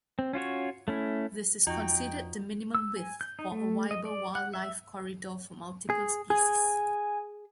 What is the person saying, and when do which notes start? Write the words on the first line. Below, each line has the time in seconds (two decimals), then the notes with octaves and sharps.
This is considered the minimum width for a viable wildlife corridor for multiple species.
0.19 C4
0.33 C#4 F4 F#4 C#5
0.88 A3 C#4 E4
1.67 F2 D#4 F4 F#4 G5
2.75 E6
2.96 G#5
3.21 G6
3.39 D#4
3.52 A3
3.91 D#5
4.05 D5
4.35 F#5
4.54 E5
5.90 G#4
6.30 G#4 G#5